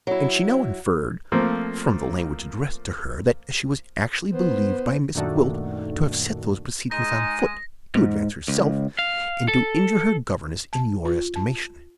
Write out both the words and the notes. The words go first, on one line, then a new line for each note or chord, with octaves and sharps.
And she now inferred, from the language addressed to her, that she was actually believed by Miss Gwilt to have set those proceedings on foot, to advance herself, and to injure her governess, in your estimation.
F#3 E4
F3 A3 A#3 C4
B3 C5
F#2 A#2 D#3 A3 D4 F#4
G#3 D#4 D#6 A#6
G#2
C#2
F5
A4
A5
F4
A5